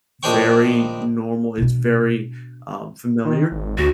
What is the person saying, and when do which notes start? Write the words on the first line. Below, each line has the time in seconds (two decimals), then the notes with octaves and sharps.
very normal, it's very, um, familiar.
0.23 A#1 D#3 D4 C5 G5 C#6
1.58 B2 D4
3.25 D#3
3.52 G#1
3.78 D2 F#4